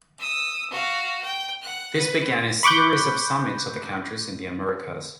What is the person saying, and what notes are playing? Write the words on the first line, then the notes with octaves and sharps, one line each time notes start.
This began a series of Summits of the countries in The Americas.
D#6 E6
F#4 F5
G5
F#5 F#6
B4
B5 C#6 D6 F#6 G6